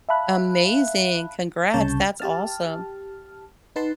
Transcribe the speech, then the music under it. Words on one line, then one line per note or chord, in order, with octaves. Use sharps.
Amazing, congrats, that's awesome.
E5 F5 A5 B5 F#6
C2 C#3 C#5 A5 G6
G4 A5 F6
D#4 B4 F#5 A5 C6